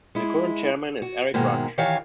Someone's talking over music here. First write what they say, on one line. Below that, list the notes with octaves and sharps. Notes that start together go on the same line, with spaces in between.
The current chairman is Eric Ruch.
G#3 E4
F#4
G#2 B2 D#3 G#3 A#3
D#3 E3 G4 C#5 F5